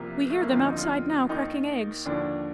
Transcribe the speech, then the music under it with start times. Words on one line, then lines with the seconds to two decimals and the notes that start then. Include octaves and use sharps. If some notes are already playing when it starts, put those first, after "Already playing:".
We hear them outside now cracking eggs.
Already playing: C2 C3 F3 A#3
0.30 A3
0.40 A#3
0.52 D#2 D3 F3 C4
0.65 D#4
0.77 F4
1.29 D#2 D#3 D#4
2.05 D#2 D3 F3 D4